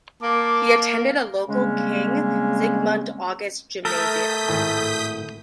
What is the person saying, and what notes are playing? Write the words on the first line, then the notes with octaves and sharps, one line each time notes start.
He attended a local King Zygmunt August gymnasium.
A#3 A5 D6
C#3 G3 G#3 A#3 C4 C#4
A3 A4 A#4 D#6 G6 B6
G#1 A2 G#5